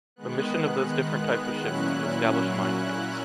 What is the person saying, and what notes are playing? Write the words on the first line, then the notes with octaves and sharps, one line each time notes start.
The mission of those different types of ships is to establish minefields.
D#3 G#3 B3 F#6
A#2 F#3 C#4 E4 F#6